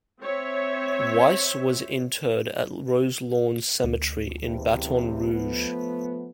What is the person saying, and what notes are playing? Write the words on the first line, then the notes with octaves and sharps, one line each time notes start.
Weiss was interred at Roselawn Cemetery in Baton Rouge.
C4 C#5 E5
D2
E2 G2 C3
F3 A3 B3